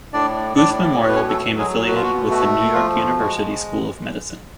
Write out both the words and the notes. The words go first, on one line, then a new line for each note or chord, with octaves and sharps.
Booth Memorial became affiliated with the New York University School of Medicine.
A2 D4 D5
A2 D4 D5
B2 C#5
B4
C#4 C#5
A3 A4
F#3
G#3 G#4
B2 F#4
F4
F#4
A3 F#4
F3 F4
G#3 F#4